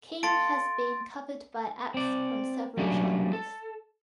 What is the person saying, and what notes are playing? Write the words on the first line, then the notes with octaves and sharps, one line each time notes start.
King has been covered by acts from several genres.
A4 F5 A5 C6 A6 D7
C4 D5
F#3 G3 A3 A#3 C#4 D4
A4